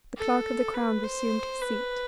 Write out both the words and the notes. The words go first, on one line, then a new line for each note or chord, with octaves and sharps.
The Clerk of the Crown resumed his seat.
A4
B4
C5
B4